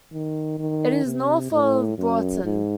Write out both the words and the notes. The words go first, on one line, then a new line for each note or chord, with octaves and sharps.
It is north of Broughton.
D#3
D#3
C3
A2
F#2
G#2